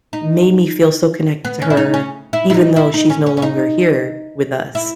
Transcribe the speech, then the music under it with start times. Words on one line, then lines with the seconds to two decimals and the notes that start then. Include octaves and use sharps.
made me feel so connected to her, even though she's no longer here with us.
0.13 D#4
1.45 B3
1.62 C#4
1.70 E4
1.77 D#4
1.94 C#4
2.33 E4
2.50 E4
2.54 D#4
2.76 E4
2.94 D#4
3.10 C#4
3.26 C#4
3.37 C#4
3.42 D#4
4.75 E4